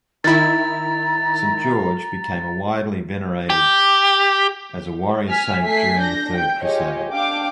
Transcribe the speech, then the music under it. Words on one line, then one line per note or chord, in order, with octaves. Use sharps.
Saint George became widely venerated as a warrior saint during the Third Crusade.
D#3 E4 A#5 A6
G4
G#5 F6 B6
A3 G#5 B6 C7
D4 G6 A#6
G5 G6
F4 G4 G#4 C#5 D#5
D4 F5 G5 D6